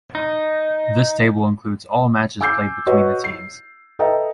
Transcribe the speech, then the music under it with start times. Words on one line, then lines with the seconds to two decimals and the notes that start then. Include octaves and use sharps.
This table includes all matches played between the teams.
0.15 D#4
2.41 G#5 D6 E6 G6 C7
2.86 F#4 B4 C#5 D#5
3.24 C7
3.99 A4 B4 D#5 E5 G5 A#5